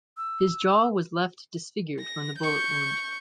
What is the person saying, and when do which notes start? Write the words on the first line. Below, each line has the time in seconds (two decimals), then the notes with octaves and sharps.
His jaw was left disfigured from the bullet wound.
0.17 E6
2.00 A#6
2.39 C#6 G6